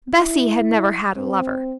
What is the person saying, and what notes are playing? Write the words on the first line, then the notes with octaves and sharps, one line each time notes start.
Bessy had never had a lover.
E4
C4